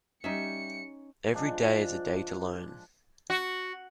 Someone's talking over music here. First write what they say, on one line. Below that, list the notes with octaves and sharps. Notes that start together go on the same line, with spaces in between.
Every day is a day to learn.
G3 C#4 D#4 E5 C#7
F3 G#3 D4
F#4